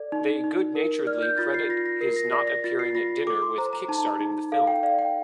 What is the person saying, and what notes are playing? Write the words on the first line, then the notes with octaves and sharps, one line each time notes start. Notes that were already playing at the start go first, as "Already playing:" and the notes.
They good-naturedly credit his not appearing at dinner with kick-starting the film.
Already playing: A4 D5
D#4
D#4
A#4
D5 F6
G6
F4 A6
C7
F4 A#6
A#6
A#4 C7
A#6
D5 A#6
A#6
F4 A6
C7
F4 A#6
A4 D6
C6
C5 A#5
A#5
D#4 A5
D#4
A4 F5
G5
D5 F5
G5